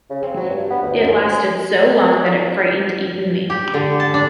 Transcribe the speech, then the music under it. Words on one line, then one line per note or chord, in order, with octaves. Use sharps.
It lasted so long that it frightened even me.
C#3
C4
F#3
G2
B3
D2
F#2
C2
G4
D3
A5
D4